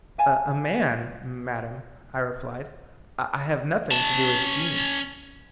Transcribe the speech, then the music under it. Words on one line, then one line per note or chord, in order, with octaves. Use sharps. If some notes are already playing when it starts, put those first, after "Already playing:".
"A man, madam," I replied; "I have nothing to do with genii."
F5 G#5 A5
C#4 A5